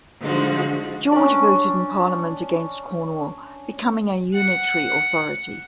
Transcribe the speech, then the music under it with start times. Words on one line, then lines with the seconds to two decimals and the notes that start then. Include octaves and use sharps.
George voted in Parliament against Cornwall becoming a Unitary Authority.
0.20 D3 F3 G#3 D#4 F#4
1.12 C#4 D4 D5
4.33 F#5